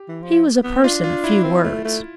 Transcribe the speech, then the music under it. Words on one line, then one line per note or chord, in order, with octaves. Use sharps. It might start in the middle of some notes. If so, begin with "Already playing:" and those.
He was a person of few words.
Already playing: G4
E3
F3
B3
D4 F4
F4
E4
C4
A3
A3